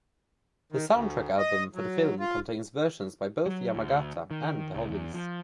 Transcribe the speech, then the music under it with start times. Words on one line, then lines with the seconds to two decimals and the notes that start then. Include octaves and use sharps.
The soundtrack album for the film contains versions by both Yamagata and the Hollies.
0.72 D#3
0.91 D2
1.38 D#5
1.75 F#3
2.20 F4
3.46 F#3
3.75 D2
4.31 D#3
4.75 C#2
4.89 E2
5.14 F3